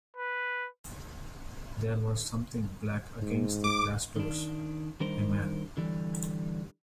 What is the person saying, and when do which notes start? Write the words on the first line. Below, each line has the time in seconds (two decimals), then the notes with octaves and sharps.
There was something black against the glass doors — a man.
0.17 B4
3.22 G#2
3.64 D6
4.16 D#3 D4
5.00 D#3 G3 D4 D#4 A#4 C5
5.77 D3 E3 G3